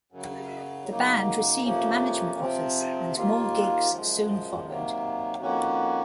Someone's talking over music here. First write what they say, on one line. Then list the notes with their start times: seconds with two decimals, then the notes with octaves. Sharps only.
The band received management offers and more gigs soon followed.
0.12 F#2 C#3 F#3
0.88 F#2 C#3 F#3 A#3 D#4
1.64 F2 C3 F3 A#3 C#4
2.39 C3 F3 C4
3.14 D#2 D#3 A#3 F4
3.90 F#2 F3 G#3
4.66 C3 D#3 F#3 A#3
5.42 F2 D#3 A#3 C#4 F#4